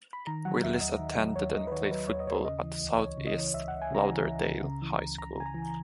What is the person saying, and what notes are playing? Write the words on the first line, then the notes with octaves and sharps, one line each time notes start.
Willis attended and played football at Southeast Lauderdale High School.
B5
D#3 A#5
F#3 F#5
D#2 E5
D#2 D#5
D#3
F#3
D#2 C#5
D#2 D#5
B4
D#3 C#5
C#5
F#3 B4
D#2 C#5
D#5
D#2 C#5
C#3 D#5
E3
C#2
C#2 C#5
C#3
D#5
E3
C#2 E5
C#2 F#5
G#5
C#3 A#5
E3
C#2
C#2
C#3
E3
C#2
C#2 A#5
C#3 G#5
A#5
E3